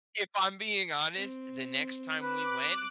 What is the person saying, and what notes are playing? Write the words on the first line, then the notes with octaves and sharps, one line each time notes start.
if I'm being honest, the next time we went
C4
B4 D6 F#6